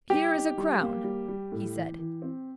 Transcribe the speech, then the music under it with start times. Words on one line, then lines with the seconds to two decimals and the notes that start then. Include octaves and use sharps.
"Here is a crown," he said.
0.10 G3 G4
0.34 D#4
0.57 G3
0.81 A#3
1.04 G3
1.28 G3
1.52 A2
1.76 E3
1.99 E3
2.22 C4